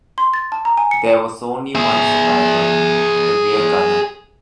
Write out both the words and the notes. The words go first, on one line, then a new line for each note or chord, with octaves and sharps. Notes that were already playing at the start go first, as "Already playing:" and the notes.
There was only one survivor, the rear gunner.
C6
A6
A5
A#5
G#5
C#7
G#4 E5